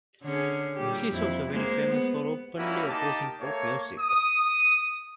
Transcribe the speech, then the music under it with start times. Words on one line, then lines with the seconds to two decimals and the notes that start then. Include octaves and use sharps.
He is also very famous for openly opposing pop music.
0.23 D3 C#4 G#4
0.76 A#2 G3 G4
1.11 F2 E4
1.49 G#3 A#3 C5
1.89 B3
2.57 G3 A#3 C#4 E4 F#4
2.89 A#3 D#4 G4 A5
3.41 A3 A#3 C#5
4.00 D#6